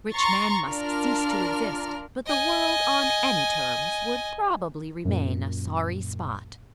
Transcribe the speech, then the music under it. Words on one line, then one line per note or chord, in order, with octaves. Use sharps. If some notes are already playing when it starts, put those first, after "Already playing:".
Rich men must cease to exist; but the world on any terms would probably remain a sorry spot.
A#5 C6 C#6 A6
D4 F4 A#4 D5 F6
D#5 G#5
F#2 A#2